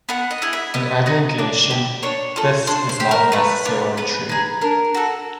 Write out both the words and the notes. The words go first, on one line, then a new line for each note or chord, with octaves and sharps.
In aggregation, this is not necessarily true.
B3 F#5
D#5
E4 G#4
E5
B3 D#5
D#4 F#4
D4 D5
G4
D4 C#5
F4 A4
D4 C5
C5
G4
A#4
A3 B4
D4 F4
B3 B4
D#4 G#4
D4 A#4
F#4 A4